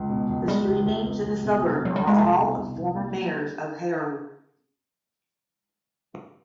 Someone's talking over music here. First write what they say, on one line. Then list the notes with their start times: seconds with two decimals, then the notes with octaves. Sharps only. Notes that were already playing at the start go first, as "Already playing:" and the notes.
The street names in the suburb are all of former mayors of Harare.
Already playing: C#2
0.10 B2
0.29 C#2
0.47 G3 G#3
0.67 C#2
0.86 C#2
1.04 C#2
1.23 C#2
1.43 B2
1.61 C2
1.80 C2
1.85 F#3
1.96 C2 G3
2.07 G#3
2.18 C2 A3
2.37 B2
2.56 C2
2.75 C2
2.94 A#3
3.13 G3